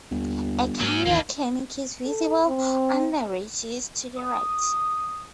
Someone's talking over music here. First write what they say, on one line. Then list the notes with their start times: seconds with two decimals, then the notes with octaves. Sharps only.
A cardiac clinic is visible on the ridges to the right.
0.11 G1 D#2
0.80 G#2 F#3 A#3 C#4
1.06 G#1 D#2 D#3 E3 A#3 D4
2.05 A4
2.46 C4
4.18 D#6